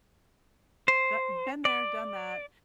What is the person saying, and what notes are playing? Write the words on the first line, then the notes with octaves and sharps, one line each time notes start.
Do been there, done that,
C5
D5